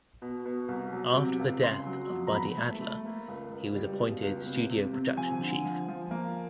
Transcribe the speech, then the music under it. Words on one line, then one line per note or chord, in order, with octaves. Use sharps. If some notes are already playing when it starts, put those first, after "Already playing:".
After the death of Buddy Adler he was appointed studio production chief.
B2
B2
C2
F#3
C3
C#2
C#3 C6
F#3
F2
A#5
E2 B5
A3
A3
A#3
C#2
C#2
G3
B2
C#2
C3
C3
C3
F3 G#5
D3
F3
F3
A#3